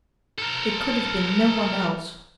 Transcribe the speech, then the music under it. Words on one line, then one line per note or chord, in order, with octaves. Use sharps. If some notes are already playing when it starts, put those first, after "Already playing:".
"It could have been no one else."
A4 A#4